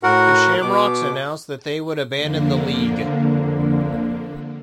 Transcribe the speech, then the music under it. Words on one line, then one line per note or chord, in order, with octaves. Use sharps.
The Shamrocks announced that they would abandon the league.
A2 F#4 A#4 F#5
B2 D6
F2 D3 A#3